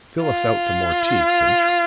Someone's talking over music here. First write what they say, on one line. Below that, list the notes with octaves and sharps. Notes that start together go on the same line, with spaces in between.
Fill us out some more tea, Kinch.
F4